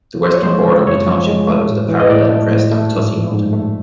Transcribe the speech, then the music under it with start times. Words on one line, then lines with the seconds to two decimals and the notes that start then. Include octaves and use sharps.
The western border of the township follows the parallel crest of Tussey Mountain.
0.24 F3 C5
0.34 C#5
0.43 G#3 C5
0.66 C#3
0.86 F#2 C#5
1.07 F3
1.27 G#3
1.48 A3
1.69 A2
1.89 E3
2.00 D#5
2.10 A2 D5
2.30 A3
2.51 A2
2.71 A3
2.91 G#2
3.12 F3
3.32 G#2
3.53 A3